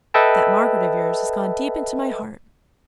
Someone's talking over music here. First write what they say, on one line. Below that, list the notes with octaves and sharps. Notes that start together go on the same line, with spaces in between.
'That Margaret of yours has gone deep into my heart.
A4 B4 D#5 E5 G5 A5